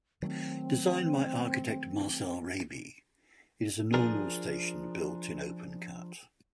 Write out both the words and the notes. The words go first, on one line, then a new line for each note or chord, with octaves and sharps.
Designed by architect Marcel Raby, it is a normal station built in open cut.
D#3 F#3 A3 C4
F3 D4 G#4 A#4